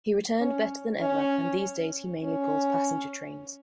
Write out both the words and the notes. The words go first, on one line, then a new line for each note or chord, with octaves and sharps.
He returned better than ever, and these days he mainly pulls passenger trains.
C#4
C#4
C#4